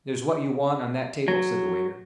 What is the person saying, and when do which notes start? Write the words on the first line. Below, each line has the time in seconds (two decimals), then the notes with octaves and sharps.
"There's what you want on that table," said the waiter.
1.28 F#3